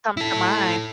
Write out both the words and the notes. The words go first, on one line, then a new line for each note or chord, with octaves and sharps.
comes to mind.
E4 A4